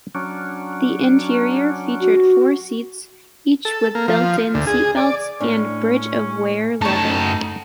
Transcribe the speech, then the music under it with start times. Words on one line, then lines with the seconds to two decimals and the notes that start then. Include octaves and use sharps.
The interior featured four seats each with built-in seatbelts and Bridge of Weir leather.
0.15 F#3 C#4 D4
2.00 F#4
3.65 A4
3.95 A#3
4.08 F3
4.54 D2
4.67 G#4
4.97 D5
5.40 A2 C#4 D4
6.81 F#2 A3 D#4 C#5 A5